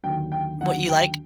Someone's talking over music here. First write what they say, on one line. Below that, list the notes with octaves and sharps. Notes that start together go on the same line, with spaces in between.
what you like?
D#2 D3 F#3 G5
G5
D#2 D3 F#3 F#5
G5